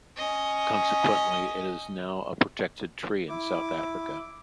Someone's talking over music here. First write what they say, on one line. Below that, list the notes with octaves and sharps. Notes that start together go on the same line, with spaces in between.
Consequently, it is now a Protected Tree in South Africa.
C#4 D#5
E4 D6